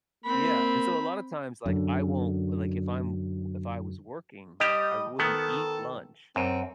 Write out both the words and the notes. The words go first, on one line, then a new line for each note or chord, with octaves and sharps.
Yeah, and so a lotta times, like, I won't l like, if I'm w if I was working, I wouldn't eat lunch
A#3 C4 B5
F#2 D3
G3 G4 D#5
D#3 B3 A4
F#2 C4